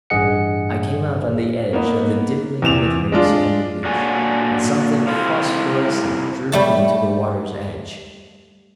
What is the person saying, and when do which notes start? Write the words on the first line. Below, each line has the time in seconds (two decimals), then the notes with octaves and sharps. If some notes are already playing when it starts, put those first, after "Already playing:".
I came out on the edge of the dimly glittering sandy beach, and something phosphorescent drew me to the water's edge.
0.10 A1 G2 G#4 D#5 F#5 C#7
1.73 A#3 B3 D#4
2.62 E2 C3 E7 F7
3.12 G#3 D4 F4
3.85 A#2 D4 F#4 A4 C#5 G#5
5.07 C3 E4 A4 C5 F5
6.52 G3 A3 A5